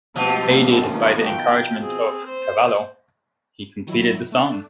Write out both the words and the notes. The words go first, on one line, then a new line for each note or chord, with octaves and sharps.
Aided by the encouragement of Cavallo, he completed the song.
B2 F3 C4 G4
D#3
G5
C4 G#4
C5
D#3 F#3 E4
A3 D4